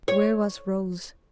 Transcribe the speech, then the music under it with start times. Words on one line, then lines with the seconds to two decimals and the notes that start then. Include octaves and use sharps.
Where was Rose?
0.08 C#5